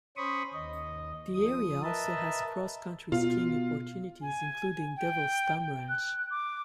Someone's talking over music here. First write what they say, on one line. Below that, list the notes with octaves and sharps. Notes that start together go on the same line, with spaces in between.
The area also has cross-country skiing opportunities, including Devil's Thumb Ranch.
C#4 C5 B5 C#6 D#6
D#2 D#5
F3 D#6
A#4 B4 D#5 E5 A5
B2 F4
G#5
G5
F#6
D6